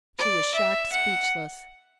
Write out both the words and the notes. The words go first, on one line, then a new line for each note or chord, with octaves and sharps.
She was shocked speechless.
D5
E5
F#5